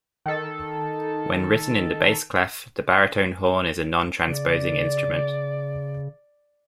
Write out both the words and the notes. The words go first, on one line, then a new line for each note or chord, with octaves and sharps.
When written in the bass clef, the baritone horn is a non-transposing instrument.
D#3 A4
C#3 D5